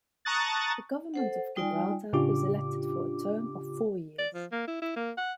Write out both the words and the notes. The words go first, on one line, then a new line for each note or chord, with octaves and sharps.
The Government of Gibraltar is elected for a term of four years.
A5 A#5 C#6 D#6 F#6 A6
A4 C5 F#5
G3 D#4 F4 D5 G5 G#5
A2 C#3 D4 F4 G4 D6
D5
F3
A#3
E4
E4
A#3
F#5